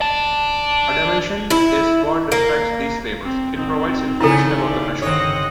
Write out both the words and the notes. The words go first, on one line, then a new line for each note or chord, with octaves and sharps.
A "dimension" is what describes these "labels"; it provides information about the "measure".
D5 A5
E4
A#3
C4
G#1 C4 D#4 G6
C#3 F3 A3 D#4 E4 G#4 A4
D5
G1 D#3 C4 C#5 D#5 F#5